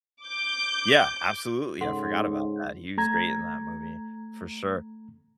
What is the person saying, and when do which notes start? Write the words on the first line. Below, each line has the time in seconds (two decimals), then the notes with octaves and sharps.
Yeah, absolutely, I forgot about that, he was great in that movie, for sure,
0.23 D6 G6
1.81 G#2 C#3 A4 F#5 C6
2.98 A3 A#5 G#6